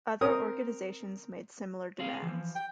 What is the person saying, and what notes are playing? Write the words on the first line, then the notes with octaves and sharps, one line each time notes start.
Other organisations made similar demands.
C4 A#4 D#6
C4 G#4 F5
E3 F3
G5